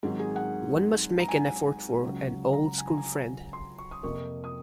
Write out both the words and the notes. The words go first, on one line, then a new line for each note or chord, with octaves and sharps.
One must make an effort for an old school friend.
G#2 D#3 F#3 C4 G#4
G#4
F#5
A#5
G#5
C#2 C#3 F#3
A#5
G#5
A#5
G#5
C6
C#6
D#6
F2 C3 F3 A#3 C#6
D#6